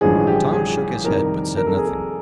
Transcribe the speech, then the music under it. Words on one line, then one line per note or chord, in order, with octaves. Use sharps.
Tom shook his head, but said nothing.
A1 G2 D3 F3 G#3 G#4
G4
G#4
F2 C3 D#3 G3 A#4
A#4
A4
G#4
A4